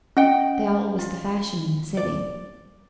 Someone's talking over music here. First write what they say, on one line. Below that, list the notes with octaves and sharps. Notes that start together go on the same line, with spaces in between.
They all was the fashion in the city.
C#4 D#5 F#5 G5
F4
D5